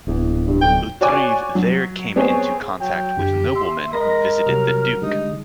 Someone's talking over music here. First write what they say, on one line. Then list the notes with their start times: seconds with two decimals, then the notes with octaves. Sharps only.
Hauterive there came into contact with noblemen who visited the duke.
0.07 D1 E2
0.47 G2
0.62 B1 G5
1.01 F#4 C#5 D5 G#5 D6
1.55 F#3
2.16 B3 C4 G#4 C#5
2.81 F#3 G5
3.17 F#2 D3 G4
3.55 E5 C6
3.93 G#3 A#4 B5 A#6
4.46 C3 F#3 G3 F6
5.02 D3 G3 G#3 D#4